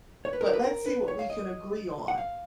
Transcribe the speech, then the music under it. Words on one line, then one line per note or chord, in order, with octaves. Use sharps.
but let's see what we can agree on,
C#5
B4
A#4
B4
A#4
B4
C#5
F5
D#5
F#5
F5